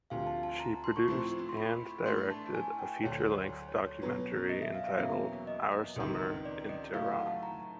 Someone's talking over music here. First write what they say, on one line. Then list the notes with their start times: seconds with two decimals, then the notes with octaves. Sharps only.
She produced and directed a feature-length documentary entitled "Our Summer in Tehran".
0.10 D2 C3 F3 F5
0.27 A5
0.43 A5
0.60 A#5
0.84 C6
0.96 C#6
1.08 A2 F3 A3 C4 C6
1.49 C6
1.57 B5
2.06 A2 E3 A3 D4 C6
2.30 A5
2.54 G#5
2.79 G5
3.03 D2 D3 F#3 C#5
3.69 C#5
3.85 C#5
4.02 B2 F#3 B3
4.49 D#5
4.62 E5
4.74 F5
4.87 E5
4.99 E2 B2 F#3 A#3 C#4 E5
5.47 D#5
5.72 D#5
5.96 C#2 C3 D#3
6.45 D5
6.69 D#5
6.93 A2 F#3 A3 F5
7.10 F#5
7.27 A5
7.43 A#5